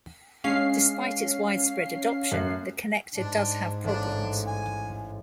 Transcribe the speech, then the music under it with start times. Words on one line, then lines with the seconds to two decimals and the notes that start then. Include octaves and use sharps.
Despite its widespread adoption, the connector does have problems.
0.44 G#3 C#4 D4 F5 C7
2.32 F#2 A3 F#6
3.15 G#2 D4
3.84 A1 D4
4.47 G#5